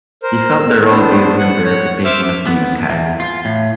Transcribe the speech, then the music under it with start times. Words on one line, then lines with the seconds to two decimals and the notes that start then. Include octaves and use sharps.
He felt the role gave him the reputation of being a cad.
0.23 A#4 C5
0.59 E6
0.88 B3 D4 C5
1.38 F#5
1.64 C#5 F#5
2.05 C5 E5 D6 E6 F6
2.47 B3
2.90 E2
3.20 F4
3.45 A2